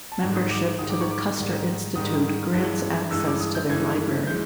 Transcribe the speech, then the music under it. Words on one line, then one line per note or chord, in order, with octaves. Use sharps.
Membership to the Custer Institute grants access to their library.
A5
G#2 D#3 G3 A#5
D#6
D6
D6
G#2 D#3 G3 D#6
D6
C#6
D6
G#2 D#3 G3
G#2 D#3 G3 D#6
G2 E3 G#3
G2 E3 G#3 E6
D6
D#6
G6
G2 E3 G#3 G#6
E3 G#3 G6